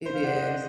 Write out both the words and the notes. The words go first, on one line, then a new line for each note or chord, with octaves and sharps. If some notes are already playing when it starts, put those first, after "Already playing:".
It is.
C5
F5
D5 F#5
D#5
D5 F#5